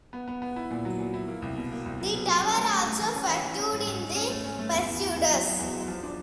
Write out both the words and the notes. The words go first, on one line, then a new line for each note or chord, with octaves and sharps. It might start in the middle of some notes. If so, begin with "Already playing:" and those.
The tower also featured in The Persuaders!
B3
B3
B3
E4
A#2
F#3
A#2
E4
A#3
C2
B2
A#3
C2
F#3
B2
F#3
C#4
A3
A3
A3
E3
C#4
E3
E3
C#4
G#2
G#2
G#2
C#4
A3
C#4
A3
E2
E2
E2
E2
F#3
F#3
E2
F#3
F3
D4